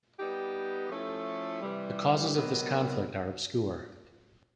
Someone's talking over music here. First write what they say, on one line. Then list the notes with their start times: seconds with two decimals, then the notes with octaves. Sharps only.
The causes of this conflict are obscure.
0.19 G3 B3 D#4 G4
0.89 F3 A3 C#4 E4 A4
1.61 C3 E3 G3
2.32 C3 D#3 F#3 B3